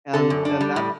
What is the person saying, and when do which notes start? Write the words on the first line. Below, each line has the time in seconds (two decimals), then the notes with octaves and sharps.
and then that's
0.13 D3 A4
0.30 F#2
0.45 D4
0.61 G3
0.76 A2